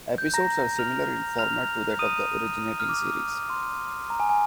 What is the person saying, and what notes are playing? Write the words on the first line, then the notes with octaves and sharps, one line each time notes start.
Episodes are similar in format to that of the originating series.
G6
A#5 A#6
F6 F7
F6 F7
D#6 D#7
F6
D6
C6
A#5
G#5
G#5